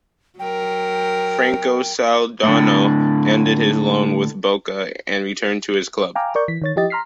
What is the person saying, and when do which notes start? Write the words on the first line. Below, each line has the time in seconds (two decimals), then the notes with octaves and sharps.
Franco Soldano ended his loan with Boca and returned to his club.
0.39 F#3 A#4 G5
2.43 A2 D3
6.15 F5 G5 G#5 A#5 D6 F6
6.35 A#4 D5 C#6 G6
6.48 E3 B6
6.62 D#3 C#5 A6
6.76 F3 E4 G4 D#5 A6
6.90 A#5 C6 F6 B6 C7